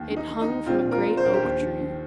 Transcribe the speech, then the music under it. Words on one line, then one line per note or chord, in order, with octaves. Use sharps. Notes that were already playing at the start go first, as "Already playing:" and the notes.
It hung from a great oak tree.
Already playing: D#2
D#3
D#4
D#3
D#4
D#2
A#1 C4 F4
A#2
F4 A#4
A#2
C5
A#1 A#4
G4 C5
D#2
D#3
D#3